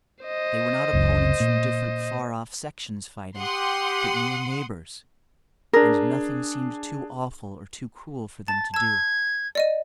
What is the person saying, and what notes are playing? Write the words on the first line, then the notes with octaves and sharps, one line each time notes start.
They were not opponents from different far-off sections fighting, but near neighbors, and nothing seemed too awful or too cruel for them to do.
C5 D#5
F#1 C#2
A#2
G4 F#5 C6 D#6
D4 G#4 A#4
A5 A6
A5 E6 G#6
D5 D#5 D#7